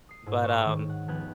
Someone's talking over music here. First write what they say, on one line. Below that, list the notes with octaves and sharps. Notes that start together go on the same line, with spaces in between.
But, um,
D#6 C7
G#2 E4
C#5
D#3
F#5
D#1 F3 B3 G4 F#6 G#6